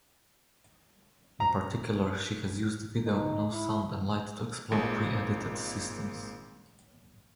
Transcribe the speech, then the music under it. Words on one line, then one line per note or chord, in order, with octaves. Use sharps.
In particular, she has used video, sound and light to explore pre-edited systems.
A#5
D#4
E4
G#1 A#2 G#3